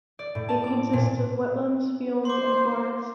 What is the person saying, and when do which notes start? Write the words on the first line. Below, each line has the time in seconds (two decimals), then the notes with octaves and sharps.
It consists of wetlands, fields, and forests.
0.19 D5
0.35 A2
0.49 A5
0.64 D6
0.93 A#2
2.25 C5 C6 D6